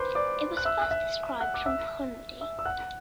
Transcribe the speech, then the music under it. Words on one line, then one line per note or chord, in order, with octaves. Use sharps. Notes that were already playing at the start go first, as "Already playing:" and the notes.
It was first described from Ponmudi.
Already playing: B4 C5 C6 D6
D5 D6
F#6
E5 E6
F#6
E5 E6
F#5 F#6
D6
E5 E6
E5 E6
E6
F#5 F#6